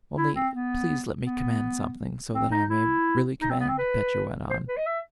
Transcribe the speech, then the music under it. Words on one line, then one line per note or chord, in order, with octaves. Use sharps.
"Only, please let me command something, so that I may really command..." Petya went on.
E4
C4
B3
B3
C4
D#4
E4
D#4
C4
B3
C4
B4
C5
B4
D#5
E5